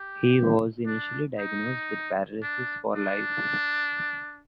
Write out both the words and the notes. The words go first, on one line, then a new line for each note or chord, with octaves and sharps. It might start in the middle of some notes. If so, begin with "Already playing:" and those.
He was initially diagnosed with paralysis for life.
Already playing: G4
D4
D#4
D4
D4